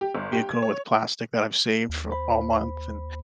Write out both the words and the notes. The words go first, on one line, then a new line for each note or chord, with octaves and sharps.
vehicle with plastic that I've saved for all month, and
G4
G1
G4
G#6
C#5
D#2
C5 B5